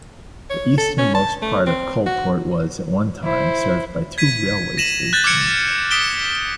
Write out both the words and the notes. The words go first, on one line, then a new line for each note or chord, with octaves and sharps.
The easternmost part of Coalport was, at one time, served by two railway stations.
C#5
A4
C#4
A5
A3
C4
F#4
E4 C5
G#6 B6 D#7
A#6 D#7 E7 F#7
F#6 G6 A6
D6 F6 G#6 C#7 D7
D#6 B6 D7 E7 G7